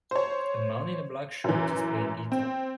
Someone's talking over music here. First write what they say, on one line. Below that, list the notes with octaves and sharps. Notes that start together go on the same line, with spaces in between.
A man in a black shirt is playing guitar.
C5 C#5
F#2 E3
C4